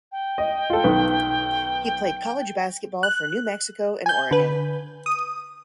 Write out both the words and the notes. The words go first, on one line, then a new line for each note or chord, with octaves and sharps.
He played college basketball for New Mexico and Oregon.
G5
D#5
F4 A4
B1 D#3 B4
F#6
G#5 G6
D3 B4
D#6